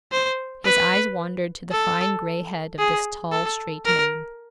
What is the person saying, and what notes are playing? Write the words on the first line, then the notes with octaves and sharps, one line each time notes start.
His eyes wandered to the fine gray head of this tall, straight man.
C5
B4
A4
G#4
A4
A#4